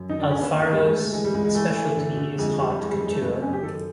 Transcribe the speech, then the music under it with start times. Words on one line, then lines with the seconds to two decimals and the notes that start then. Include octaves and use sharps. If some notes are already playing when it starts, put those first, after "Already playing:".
Alfaro's specialty is haute couture.
Already playing: F#2
0.09 D#3 D#4
0.20 D4
0.30 D2 C#4
0.41 B3
0.51 E3 A#3
0.62 A3
0.72 D2 G3
0.82 G#3
0.92 D2 A3
1.03 G#3
1.13 E3 G#3
1.24 G3
1.34 C#2 G#3
1.45 G#3
1.55 E3 A3
1.76 E3
1.97 D3
2.17 D3
2.38 F2 G#3
2.49 G#3
2.59 F2 G3
2.70 G3
2.80 E3 G#3
2.90 G3
3.01 F#2 G#3
3.12 A3
3.22 C#3 B3
3.32 C4
3.42 F#2 C#4
3.53 G4
3.63 D#3 A4